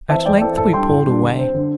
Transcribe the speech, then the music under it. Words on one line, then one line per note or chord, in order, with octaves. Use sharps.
At length we pulled away.
E3 C4 E5 A5
E2 D5 G5
E3 C4 A4 D5
A2 A4
G3 D4 G5 C6
A2
G3 D4
D3
C4
D3